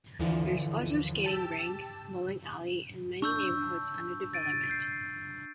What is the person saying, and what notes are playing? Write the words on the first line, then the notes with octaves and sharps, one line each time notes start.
There is also a skating rink, bowling alley and many neighborhoods under development.
D#2 D3 E3 F3
G4 A5 E6
D4 C#6 E6 G6
A6 D7 D#7
G6 C7